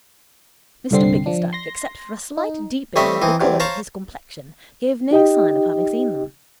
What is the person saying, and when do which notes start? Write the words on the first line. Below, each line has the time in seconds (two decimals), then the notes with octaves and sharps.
Mr Bickersdyke, except for a slight deepening of the colour of his complexion, gave no sign of having seen them.
0.91 C2 G2 D3 C4 C7
1.26 F3 D4
1.53 C6 A#6
2.37 D#4
2.96 G3 A3 C4 C#5 D#5 E5
3.22 E3 C4 D#4
3.41 E2 C3
3.60 C5 C#5 F5 A5 A#5
5.11 D#4 G4 D#5 G5